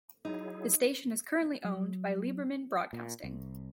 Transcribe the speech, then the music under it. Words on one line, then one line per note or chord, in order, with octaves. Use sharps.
The station is currently owned by Liberman Broadcasting.
F#3 D#4 E4 G#4
F#3
A#2
C2